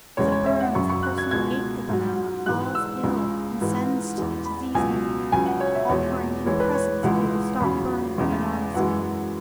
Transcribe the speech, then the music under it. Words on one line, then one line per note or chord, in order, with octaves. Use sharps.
As it burns, the person who ate the banana falls ill and sends to the disease-maker, offering him presents if he will stop burning the banana skin.
E2 C#3 G#3 C#5
C#5
E5
F#5
F#2 C#3 F#3 C#6
C#6
F#6
G#6
C#2 B2 G#3 G#6
G#2 F#3
G#2 E3 G#3 F#6
E6
C#2 C#3 G#3
G#2 E3 G#3
E2 E3 G#3
B5
C#2 B2 F#3 G#5
C#2 C#3 F#3 G#5
F#5
C#5
E5
E2 B2 G#3 C#5
E2 E3 G#3 C#5
B4
C#5
C#2 C#3 E3 G#3 F#5
E2 C#3 F#3 B5
E2 C#3 G#3
F#2 E3 G#3 F#5